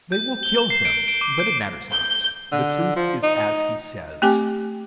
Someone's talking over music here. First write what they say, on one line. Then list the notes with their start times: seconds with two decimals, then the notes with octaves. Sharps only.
They will kill him, but it matters not: the truth is as he says!
0.12 G6
0.43 G7
0.58 E7
0.70 C7
0.85 D7
1.08 D7
1.21 D6
1.40 G6
1.93 G6
2.52 D3
2.96 F3
3.23 D#4
4.22 A3 C4 G4 G5 G#5 D6